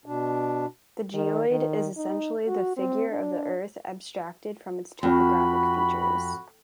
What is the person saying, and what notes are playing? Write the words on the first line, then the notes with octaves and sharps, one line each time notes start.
The geoid is essentially the figure of the Earth abstracted from its topographic features.
B2 D4
D#3
D#3
D#4
F#4
C4
D4
F2 F#4 B5